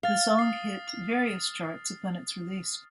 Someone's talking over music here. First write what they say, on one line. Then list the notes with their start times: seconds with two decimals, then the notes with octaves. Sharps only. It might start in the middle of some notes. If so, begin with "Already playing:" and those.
The song hit various charts upon its release.
0.03 F5 F6 A6
0.39 D#6 C7